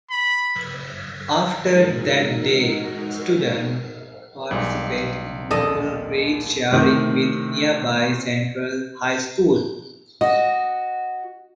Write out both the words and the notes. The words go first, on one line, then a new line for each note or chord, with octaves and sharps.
After that date, student participated in whole-grade sharing with nearby Sentral High School.
B5
G#3 D#4 F#4 A#4
B1 G3 G#3
A#1 D#2 A4 D#5 D#6
A2 C3 D#3
F#4 D#5